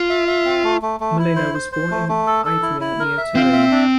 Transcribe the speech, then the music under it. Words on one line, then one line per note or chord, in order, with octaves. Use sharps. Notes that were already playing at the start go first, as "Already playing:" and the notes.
Molino was born in Ivrea near Turin.
Already playing: F4
E5
E5
C4
A3
A3
A3
E4
C5
C5
C5
A3
A3
A4
A4
E4
E4
A#4
E5
C4 F4
E5
D4